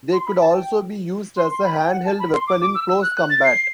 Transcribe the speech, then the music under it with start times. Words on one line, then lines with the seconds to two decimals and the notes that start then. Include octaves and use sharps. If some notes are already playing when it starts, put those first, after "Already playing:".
They could also be used as a handheld weapon in close combat.
0.13 C6
0.26 B5
0.40 A5
0.54 G5
1.37 C6
1.51 C6
1.65 B5
1.78 G5
1.91 F#5
2.05 A5
2.20 B5
2.33 C6
2.47 D6
2.61 D6
2.75 E6
2.88 E6
3.02 F#6
3.16 F#6
3.30 A6
3.44 C7